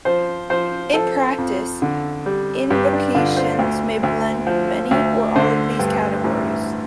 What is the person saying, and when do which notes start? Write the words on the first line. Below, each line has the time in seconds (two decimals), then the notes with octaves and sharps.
In practice, invocations may blend many or all of these categories.
0.05 F3 C5
0.50 F3 C5
0.94 F3 A4
1.38 F2
1.82 D3
2.26 G3
2.70 G2 G4
2.93 D4
3.15 D3 F4
3.37 C5
3.59 D2
4.03 D2
4.47 F3
4.91 D2
5.36 D3 C5
5.79 G2
6.24 A1